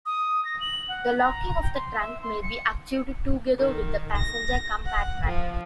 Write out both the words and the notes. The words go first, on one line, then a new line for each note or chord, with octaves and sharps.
The locking of the trunk may be achieved together with the passenger compartment.
D#6
A#6
F#7
F#5
A#5
G5
C6
E5
C6
C#7
D#3
A#6
F#5
F3